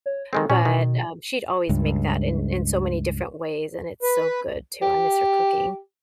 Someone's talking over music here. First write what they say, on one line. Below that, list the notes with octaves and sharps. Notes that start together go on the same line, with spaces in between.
but, um, she'd always make that in in so many different ways, and it's so good too, I miss her cooking.
C#5
D#3 G#3 C4 A4
A#2 C#4
B2 D#3
C#2 G2
B4
G4